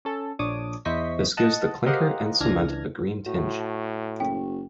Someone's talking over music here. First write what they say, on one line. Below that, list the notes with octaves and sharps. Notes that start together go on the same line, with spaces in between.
This gives the clinker and cement a green tinge.
C#4 A4
A#1 D4 C#5 D6 D#6
E2 E4 C5 D#5 C#6 B6
D#5 F#5 A5
G4 A#4 C5 D#5 F5 F#5
C#2 E3 D4 F6 G#6 A#6
A2 F#4
F#1 G5